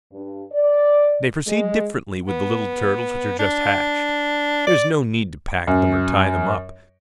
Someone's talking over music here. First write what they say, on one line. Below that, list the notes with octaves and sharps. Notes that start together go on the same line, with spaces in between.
They proceed differently with the little turtles which are just hatched. There is no need to pack them or tie them up.
G2
D5
G#3
B3
D4
D5
F#2